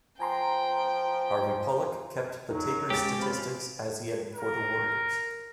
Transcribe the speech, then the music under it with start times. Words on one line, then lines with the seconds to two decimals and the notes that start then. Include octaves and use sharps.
Harvey Pollack kept the Tapers' statistics as he had for the Warriors.
0.20 F3 G5 G#5 A#5 C6
2.51 F#3 D#4 A#4
2.90 G#3 C#4 G4 A6
3.19 C4 F4 B5
4.35 A#4